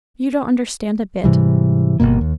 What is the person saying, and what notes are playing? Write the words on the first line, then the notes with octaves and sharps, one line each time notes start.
You don't understand a bit!
G#2 C3 E3 G3
G1 F2 B2 A#3
D#2